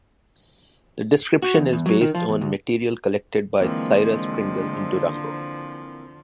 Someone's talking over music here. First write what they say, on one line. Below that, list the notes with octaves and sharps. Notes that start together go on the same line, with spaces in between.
The description is based on material collected by Cyrus Pringle in Durango.
F#4
E2
E2
F#3
D#3
F3
E2
D2
D3 E3 F3 G#3 A#3 C4